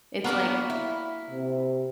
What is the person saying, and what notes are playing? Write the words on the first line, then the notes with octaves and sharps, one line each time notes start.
it's like
A#3 B3 D4 F#4 A#4
E4
C3